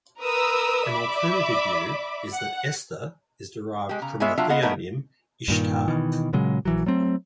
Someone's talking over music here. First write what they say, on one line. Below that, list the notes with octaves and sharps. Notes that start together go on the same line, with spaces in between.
An alternative view is that "Esther" is derived from the theonym Ishtar.
A#4 B4 D#6 E6
D5 E5 B5 D6
F#5
G#3 G4
C#3 A#5
G#3 B3 F4 G#4 C#5 E5
F#3 G3 D4 F4 E5
B3 F4 D#5 F#5
F3 F#3 A3 B3 D#4 A#4
G2 A#2 D#3
B2 D#3 E3
A#2 C#3 F#3 G#3
A#1 E3 F#3
F#3 A3 C4